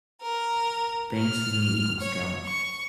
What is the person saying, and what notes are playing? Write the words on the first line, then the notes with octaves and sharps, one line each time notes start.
Banks is an Eagle Scout.
A#4
F6
C#5
C#6